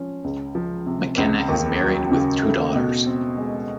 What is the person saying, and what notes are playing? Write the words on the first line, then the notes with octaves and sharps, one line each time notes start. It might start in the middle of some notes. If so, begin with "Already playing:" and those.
McKenna is married with two daughters.
Already playing: F3 C#4
C#2
F3
C3
C#2
D#2
F#3
C#3
A3
B2
C4
G#3